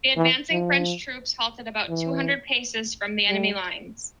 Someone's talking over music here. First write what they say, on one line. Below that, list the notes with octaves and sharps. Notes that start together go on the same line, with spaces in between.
The advancing French troops halted about two hundred paces from the enemy lines.
E3
F3
E3
G3